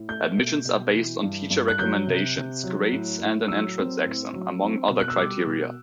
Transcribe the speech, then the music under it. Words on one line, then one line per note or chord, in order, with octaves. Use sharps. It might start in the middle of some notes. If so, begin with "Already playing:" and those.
Admissions are based on teacher recommendations, grades and an entrance exam, among other criteria.
Already playing: A2
A3 G6
B2
B2
E3
G2
G2
F#6
F#3 G6
C3
C3
F#3
A2
A2
F#3 E6
C4
A2
F#3
C4
B2
F#6
E6
G3 D6
B2